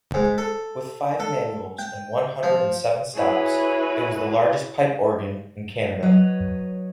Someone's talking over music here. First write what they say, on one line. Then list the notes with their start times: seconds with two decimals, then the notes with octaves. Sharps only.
With five manuals and one-hundred-and-seven stops, it was the largest pipe organ in Canada.
0.14 G#2
0.38 A4
1.20 A4
1.79 G5
2.43 F3
3.13 E4 F#4 G#4 B4 C#5
6.02 F#3 B4 C#5 D#5